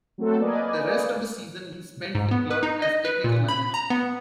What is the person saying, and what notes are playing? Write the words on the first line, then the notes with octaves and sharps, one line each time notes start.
The rest of the season he spent with the club as technical manager.
F#3 A3 C4 F#4 A4
A#3 B4 D5 D#5 G#5
G#2
B3
B4
D#4
D#5
B4
A#2
B5
A#5
B3